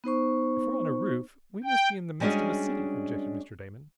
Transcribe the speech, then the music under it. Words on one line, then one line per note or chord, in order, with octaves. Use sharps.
"If we're on a roof we must be in the midst of a city," objected Mr. Damon.
B3 D#4 C5 C#6
G5
G3 G#3 C#4 D4 F#4 G#4